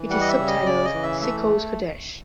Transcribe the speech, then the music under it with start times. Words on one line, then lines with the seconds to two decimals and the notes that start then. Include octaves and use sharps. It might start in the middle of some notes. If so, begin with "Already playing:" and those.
It is subtitled "Sichos Kodesh".
Already playing: E3
0.10 G3 F#5
0.21 D#5
0.28 E5
0.39 C#3
0.48 D#5
0.66 C#3 D5
0.85 D#5
0.94 E3
1.03 E5
1.21 A3 E5